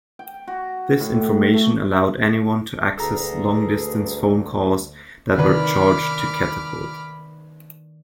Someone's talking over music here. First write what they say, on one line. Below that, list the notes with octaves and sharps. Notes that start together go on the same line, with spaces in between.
This information allowed anyone to access long-distance phone calls that were charged to Catapult.
G5
F#4
A2
A3
D2 G#4 A4 B4 A#5
C2 D#3 B4 D5 B5 D6 F6